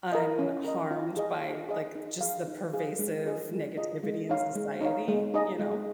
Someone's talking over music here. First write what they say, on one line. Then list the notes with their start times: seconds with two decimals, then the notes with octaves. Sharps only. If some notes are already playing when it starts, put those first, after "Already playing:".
unharmed by, like, just the pervasive negativity in society, you know?
0.12 A#4 D#5
0.39 C#4
0.64 A#4 D#5
0.91 F4
1.17 G#4 D#5
1.42 F4
1.69 G#4 D#5
1.95 D#4
2.21 G#4 F5
2.48 D#4
2.73 G#4 F5
2.99 G#3
3.25 F4 G#4 D#5
3.51 G#3
3.77 F4 G#4 D#5
4.03 G#3
4.29 D#4 C#5 F5
4.55 G#3
4.81 D#4 C#5 F5
5.08 G#3
5.34 D#4 G#4 D#5
5.59 G#3